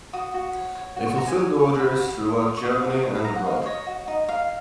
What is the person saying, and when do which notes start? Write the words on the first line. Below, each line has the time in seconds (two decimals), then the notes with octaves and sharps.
They fulfilled orders throughout Germany and abroad.
0.13 F#4 D#6
0.34 F#4
0.56 C#5
0.75 C#5
0.96 F#4
1.07 C#6
1.17 F#4 A#5
1.28 G#5
1.38 C#5 G#5
1.58 C#5 C#6
1.79 F#4 B5
2.00 F#4
2.21 C#5
2.41 C#5
2.57 C#6
2.62 F#4 D#6
2.76 C#6
2.83 F#4
2.90 D#6
3.03 C#5 C#6
3.15 B5
3.24 C#5 A#5
3.35 F#5
3.45 D#4 F5
3.66 C#5 D#5
3.87 F#4
4.08 D#4
4.28 D#4 F5